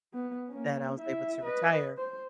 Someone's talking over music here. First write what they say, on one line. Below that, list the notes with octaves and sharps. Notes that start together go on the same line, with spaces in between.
that I was able to retire,
B3
A#3 C#4
E4 E5
B4 D#5
C5